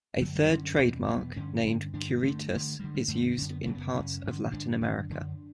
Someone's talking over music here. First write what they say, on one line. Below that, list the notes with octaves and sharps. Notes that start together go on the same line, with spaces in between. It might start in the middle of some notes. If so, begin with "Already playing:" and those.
A third trademark, named "Curitas", is used in parts of Latin America.
F#2 D3 F#3
G3
F#2 D3 C#4
E2 B2
E2 B2 B3
G2 D3 C#4
G2 D3
G2 D3 D4
B3
G2 D3 A3
G2 D3
G2 D3 G3
G3
F#2 D3 A3
B3
F#2 D3 C#4
B3
F#2 C#3 A3
B3
F#2 C#3 C#4
G2 D3
G2 D3 D4
F#2 D3
F#2 D3